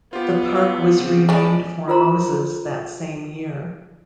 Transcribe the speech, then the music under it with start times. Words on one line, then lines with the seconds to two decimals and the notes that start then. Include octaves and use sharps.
The park was renamed for Moses that same year.
0.13 B3 F4 G4 C5
0.55 F5
0.98 C#3 C4
1.29 G#3 C#4 D5 A5 B5
1.88 F4 A#4 C5 A#5 C6